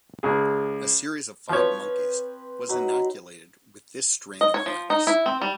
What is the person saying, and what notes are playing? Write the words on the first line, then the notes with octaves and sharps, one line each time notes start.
A series of five monkeys was inoculated with this strain of virus.
C#2 G#4
F3 C4 B4 C#5
F#3 D#4 B5
D#5
C#5
F3
D#4
E4
C4
G3